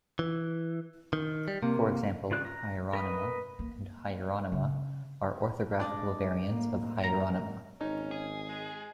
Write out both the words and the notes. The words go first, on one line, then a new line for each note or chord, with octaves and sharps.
For example, "Hieronima" and "Hyeronima" are orthographical variants of "Hieronyma".
E3
D#3
G3
C3 A#3
C#3 F4 D5 F#6
A#5
A#4 B4 D#5
A#3
C#3
G#3 D4 D5 D#5
A2 A#3
G3 A#4 A#5
G#1 C#4 D#4
G#4
G#3